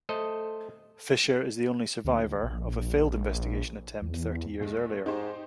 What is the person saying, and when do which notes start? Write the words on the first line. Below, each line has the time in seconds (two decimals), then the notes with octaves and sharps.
Fischer is the only survivor of a failed investigation attempt thirty years earlier.
0.09 A3 A4 C5 D#5
2.05 D2
2.43 A#1
4.02 E2
4.60 A#1 G#3
5.06 G#2 D#4 G4 C5